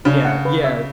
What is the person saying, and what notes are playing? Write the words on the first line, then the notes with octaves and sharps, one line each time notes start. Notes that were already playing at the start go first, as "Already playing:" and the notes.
Yeah, yeah.
C#3 D4
F#5
B4
E5